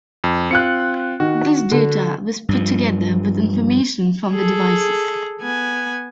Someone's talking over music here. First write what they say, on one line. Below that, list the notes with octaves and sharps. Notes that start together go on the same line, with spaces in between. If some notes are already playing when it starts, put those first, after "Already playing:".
This data was put together with information from the devices.
F2
C4 F4 F#6 C#7
D#3 F#4
D3
G2 F3
G#4 A4
B3 G#5